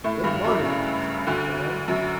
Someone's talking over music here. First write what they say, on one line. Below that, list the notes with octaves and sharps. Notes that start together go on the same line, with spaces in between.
"Good morning," said Uncle John.
A2 A3
G2 G3
F#2 F#3
C#3
D2 D3
F#2 F#3